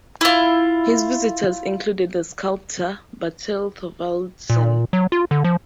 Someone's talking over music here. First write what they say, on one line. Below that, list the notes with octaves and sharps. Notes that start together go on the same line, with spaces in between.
His visitors included the sculptor Bertel Thorvaldsen.
E4 F4
A#2
F#3
F4
D3
F3